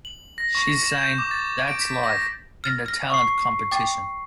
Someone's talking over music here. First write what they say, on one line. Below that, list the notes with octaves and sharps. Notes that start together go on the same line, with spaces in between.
She sang "That's Life" in the talent competition.
F#7
A#6
C#6
E7
G6
D6
A6
D7
B6
A#6
F6 A6 A#6
F6 A#6
C#6 C7
G5 D6 A6